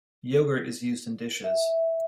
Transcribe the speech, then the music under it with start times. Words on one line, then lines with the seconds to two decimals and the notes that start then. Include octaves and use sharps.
Yoghurt is used in dishes.
1.44 E5